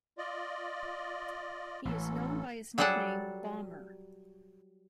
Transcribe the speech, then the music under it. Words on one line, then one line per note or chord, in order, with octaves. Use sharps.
He is known by his nickname "Bomber".
F4 D5 D#5
A1 E3 F#3 C#4 A4
F#3 G3 G#4 A4 D5 F#5